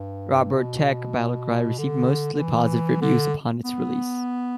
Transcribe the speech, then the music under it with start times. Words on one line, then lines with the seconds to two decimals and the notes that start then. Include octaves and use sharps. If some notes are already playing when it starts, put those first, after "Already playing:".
"Robotech: Battlecry" received mostly positive reviews upon its release.
Already playing: G2
0.55 B2
1.78 D3
2.33 D3
2.40 E3
3.01 D3
3.64 B3